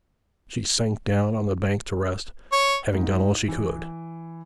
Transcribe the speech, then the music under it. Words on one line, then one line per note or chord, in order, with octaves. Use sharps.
She sank down on the bank to rest, having done all she could.
C#5
G#2
E3